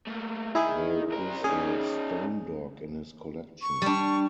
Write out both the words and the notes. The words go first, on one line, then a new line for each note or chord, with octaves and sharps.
There is a stone dog in his collection.
A3 A#3
D#3 D#4 E4 G#4
C2 A#4
C#4 D#4 G#4
C#6
G3 D4